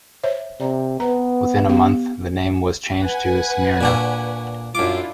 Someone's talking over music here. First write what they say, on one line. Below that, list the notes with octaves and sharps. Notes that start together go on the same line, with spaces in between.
Within a month, the name was changed to "Smyrna".
C5 C#5 E5
C3 D5 A#5
B3 B4 A#5
B3 G4 F5
B4 F#5 G#5
A#2 D4 F#4
F#2 D4 E4 F4 D6